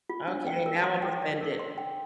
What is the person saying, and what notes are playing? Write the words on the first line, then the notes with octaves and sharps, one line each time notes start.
Okay, now I'm offended.
F4
D4
G5
A#4
C6
G5
D5
A#4
C6
G5